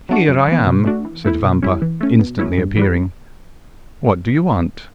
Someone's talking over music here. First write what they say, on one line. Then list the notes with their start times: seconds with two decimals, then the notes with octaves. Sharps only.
"Here I am," said Vampa, instantly appearing; "what do you want?"
0.09 F#3 A3 D4 F#4
0.29 F#2
0.48 E3 B3
0.67 B2
0.86 A3 D4 F#4
1.05 E3
1.25 A3 E4
1.44 B2
1.62 G3 C#4 E4
1.82 E3
2.01 A3 C#4
2.19 B2
2.39 F#3 C#4 E4
2.58 G2
2.76 E3 G3 B3